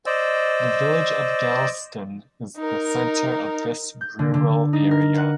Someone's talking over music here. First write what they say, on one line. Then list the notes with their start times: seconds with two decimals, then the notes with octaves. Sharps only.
The village of Galston is the centre of this rural area.
0.06 C5 D5 D#5 E6
2.57 D#4 A#4
4.01 G6
4.19 D3
4.34 D3
4.73 D#4
4.91 A#4
5.18 F#5